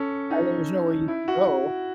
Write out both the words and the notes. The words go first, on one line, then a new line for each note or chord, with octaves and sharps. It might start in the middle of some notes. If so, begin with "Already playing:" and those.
I there's nowhere you can go.
Already playing: C#4 A4
D#4
E4
F#4